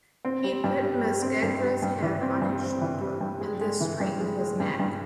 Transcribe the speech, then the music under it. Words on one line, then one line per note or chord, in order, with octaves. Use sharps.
He put Mesgegra's head on his shoulder, and this straightened his neck.
C4
G3
G2
G3
G3
C4
G2
G3
G2
E3
C4
G2
C4
E3
G3
G2
G#3
G#3
E3
G2
G#3
G#3
G2
G2